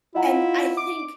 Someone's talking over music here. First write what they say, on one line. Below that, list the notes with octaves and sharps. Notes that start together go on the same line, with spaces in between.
and I think
E4 F4 D#5 F#5 A#5
D6